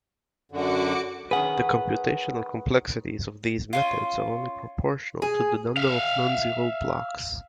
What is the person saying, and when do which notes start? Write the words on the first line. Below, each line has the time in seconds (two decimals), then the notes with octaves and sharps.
The computational complexities of these methods are only proportional to the number of non-zero blocks.
0.52 F#2 D3 F#4 D6 C#7
1.31 D#3 C#4 G#4 B4 F#5
3.73 C#4 E4 F4
5.22 G#4
5.77 E5 F5